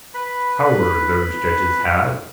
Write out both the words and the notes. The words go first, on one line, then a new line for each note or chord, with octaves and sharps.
Power those judges have.
B4 B5